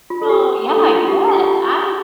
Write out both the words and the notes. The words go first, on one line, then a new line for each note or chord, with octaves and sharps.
No, yeah, I bet. I
F4
A4
G4
A4
D4
E4
F4
G4
G4
F4
G4